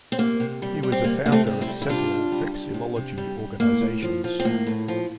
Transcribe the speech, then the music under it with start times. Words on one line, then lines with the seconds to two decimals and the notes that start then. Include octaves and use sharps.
He was a founder of several vexillology organizations.
0.12 C4
0.18 C3 A#3
0.40 C3
0.62 G3
0.83 G3
0.92 C4
1.03 C3 A#3
1.26 C3 A#3
1.32 A3 C4
1.47 G3
1.61 C4 E4
1.68 G3
1.82 E4
1.89 C3 D4 F4
2.11 C3
2.32 G3
2.54 G3
2.74 C3
2.96 C3
3.18 G3
3.39 G3
3.60 A2 A#3
3.81 A2
4.02 F3
4.24 F3
4.40 C4
4.45 A2 A#3
4.67 A2
4.88 F3